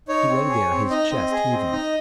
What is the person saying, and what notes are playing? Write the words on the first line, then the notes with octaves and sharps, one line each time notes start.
He lay there, his chest heaving.
D#4 C#5
C4
G#4
C4
D#4 D#5
C4
G#4
C4
D#4